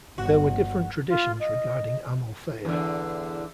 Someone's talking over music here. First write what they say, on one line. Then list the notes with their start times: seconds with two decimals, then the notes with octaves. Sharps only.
There were different traditions regarding Amalthea.
0.18 G1 F#4
1.09 F4
1.40 D#5
2.65 E2 D3